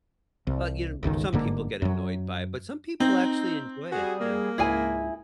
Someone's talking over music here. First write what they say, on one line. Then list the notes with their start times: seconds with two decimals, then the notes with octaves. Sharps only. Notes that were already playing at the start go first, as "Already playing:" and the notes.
Well, you know some people get annoyed by it, but some people actually enjoy it, yeah.
0.47 C2
1.03 G1 C#2 C3 D#3
1.32 G1 G#2 D3 A#3
1.82 F#2 F#3
3.00 C4 D#4
3.92 G3 F#4 G#4
4.20 A#3
4.58 C#2 G#2 E4 G#4 G#5